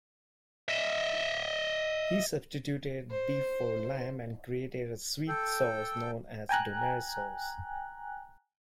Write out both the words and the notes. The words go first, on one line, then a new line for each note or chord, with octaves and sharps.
He substituted beef for lamb and created a sweet sauce known as "donair sauce".
D#5 E5
C5
A4 G5
G5 G#5 A#5 F#6